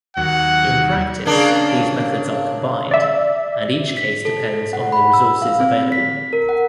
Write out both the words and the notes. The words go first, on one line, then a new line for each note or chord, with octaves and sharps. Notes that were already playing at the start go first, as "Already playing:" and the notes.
In practice these methods are combined, and each case depends on the resources available.
D#2 F#3 F#5
C#3 A#3 D4
D5 E5
B6
A4
F#5
B5
E6
F5
C4
B6
A#4
F#5